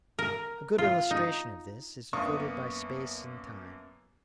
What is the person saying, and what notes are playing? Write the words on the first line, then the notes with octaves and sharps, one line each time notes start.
A good illustration of this is afforded by space and time.
A#4
F4
D#4
F#2 A#3 B3 D4 C#6 D#6